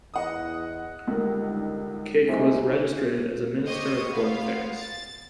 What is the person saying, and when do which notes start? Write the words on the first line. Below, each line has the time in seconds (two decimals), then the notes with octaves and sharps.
Keke was reinstated as Minister of Foreign Affairs.
0.14 E2 D#5 F#5 D#6
1.08 C#2 D3 G3 D#4 A#4
2.29 C2 C3 A#3 D#4 G#5
3.66 G4 C5 C#5 D#5 C#6 D#6
4.10 B3 C4 F4 F5
4.79 A6